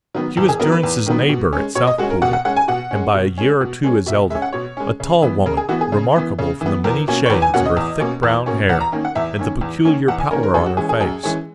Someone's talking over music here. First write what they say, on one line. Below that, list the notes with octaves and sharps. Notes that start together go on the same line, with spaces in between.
She was Durrance's neighbour at Southpool, and by a year or two his elder--a tall woman, remarkable for the many shades of her thick brown hair and the peculiar pallor on her face.
D#3 F#3 B3
E2
G#4
D#3 F#3 B3 A#4
B4
E2
D#3 F#3 B3
B2
G#3 C#4
B2 C#5
D#5
G#3 C#4 F#4
A#4
B2 F#5
F#5
G#3 C#4 F#5
G#5
B2 F#5
G#3 C#4
B2
G#3 C#4
B2
G#3 C#4
B2 E5
G#3 C#4 E5
F#5
B2 C#5
G#3 C#4
C#3
E3 B3
C#3 A#4
G#4
E3 B3 F#4
G#4
C#3
E3 B3
C#3
E3 B3
E2 A#4
B2 A#3 C#4
C#5
E2 B4
G#5
B2 A#3 C#4 F#5
D#5
E2
B2 A#3 C#4
E2
B2 A#3 C#4
E2 F#5
A#5
D#3 A#3 C#4
F#5
E2 E5
D#3 A#3 C#4
E2
D#3 A#3 C#4
E2 F#5
G#5
D#3 A#3 C#4 A#4
A#4
F#2 G#4
F#4
E3 G#3 C#4 G#4
G#4
F#2 G#4
E3 G#3 C#4